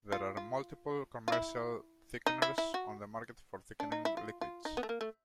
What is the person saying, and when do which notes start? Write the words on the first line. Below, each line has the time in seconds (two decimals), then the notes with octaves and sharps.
There are multiple commercial thickeners on the market for thickening liquids.
0.12 F4
0.37 F4
1.28 F4
1.32 E4
2.26 D#4
2.42 E4
2.58 E4
2.74 F#4
3.80 D4
3.92 D#4
4.05 E4
4.17 F4
4.41 F4
4.65 D#4
4.77 B3
4.83 A3
4.89 A#3
5.01 A3